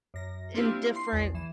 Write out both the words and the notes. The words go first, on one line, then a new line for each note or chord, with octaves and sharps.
in different
F#2 A#6
A#3 C4 D4 E4 F4 G4
C6 C7
A#1 E2
E3 E7